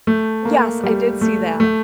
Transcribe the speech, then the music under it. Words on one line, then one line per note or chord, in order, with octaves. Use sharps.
Yes. I did see that
A3
A#3
G3
A3
A3